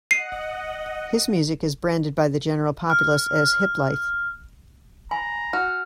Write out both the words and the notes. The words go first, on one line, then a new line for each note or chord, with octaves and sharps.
His music is branded by the general populace as hiplife.
D#5 F#5 C7 D#7
F6
G#5 A#5 B5
F#4 F6